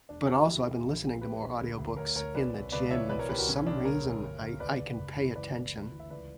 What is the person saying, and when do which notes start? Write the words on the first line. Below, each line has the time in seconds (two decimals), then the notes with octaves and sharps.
but also I've been listening to more audiobooks in the gym, and for some reason I I can pay attention.
0.09 E1 D4
0.21 D4
0.28 D3
0.34 D4 F#4
0.46 D2 E4 G4
0.66 E3
0.84 A#1
1.03 A#1
1.21 A#1 G4 B4
1.41 A#1
1.59 D2
1.78 D2
1.97 D2 A#4 C#5
2.15 D2 A#4 C#5
2.35 B1 B4 D5
2.54 B1
2.72 C#2 B4 D5
2.90 E3 C#5 E5
3.09 B1 B4 D5
3.19 A#4 C#5
3.29 B1 G4 B4
3.38 F#4 A#4
3.47 B1 C#4
3.66 B1 D4
3.85 D2 A#4 C#5
4.04 D2
4.22 G1
4.42 D3
4.59 C#2 B4 D5
4.79 C#2
4.98 F#1
5.17 E3
5.35 C#2 B4 D5
5.54 E3
5.73 D2
5.91 E3
6.00 E5
6.10 C#2 B4 D5